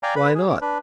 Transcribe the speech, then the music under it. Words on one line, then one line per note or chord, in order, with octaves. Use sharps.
"Why not?"
D5 F5 G5 G#5 A#5
B4 B5
G#4
C#4 D6
D4 B4